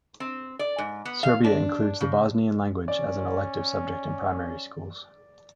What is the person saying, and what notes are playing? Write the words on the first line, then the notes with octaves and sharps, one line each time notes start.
Serbia includes the Bosnian language as an elective subject in primary schools.
C4
D5
G#2
B3
F5
D4
C#3
C#4 D5